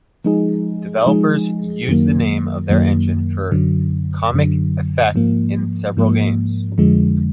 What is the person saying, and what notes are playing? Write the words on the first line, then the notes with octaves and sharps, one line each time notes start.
Developers used the name of their engine for comic effect in several games.
F3 G#3 D#4 G#4
F3 G#3 D#4 G#4
F#2 D#3 F#3 A#3
F#2 D#3 F#3 A#3
F#2 D3 F#3
F#2 D3 F#3
G#2 F3 A#3
G#2 F3 A#3
F2 D3 F3 G#3